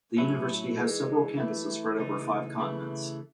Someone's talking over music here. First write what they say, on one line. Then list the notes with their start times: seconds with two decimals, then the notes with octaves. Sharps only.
The university has several campuses spread over five continents.
0.17 A2 F#3 C#4 E4
0.77 E3 G#3 D#4
1.37 E3 A3 E4
1.99 C#3 E3 A3 D#4
2.58 C#3 E3 A3 E4